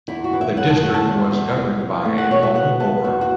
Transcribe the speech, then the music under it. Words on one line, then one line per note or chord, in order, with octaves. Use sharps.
The district was governed by a local board.
E2 E4
F#4
E3
E5
F#2 F#5
A5
A3 F#5
A5
E2
E2
E2
E2
A3
F#5
B2 C#5
E5
B3 F#5
B3 A5
E2 F#4
F#4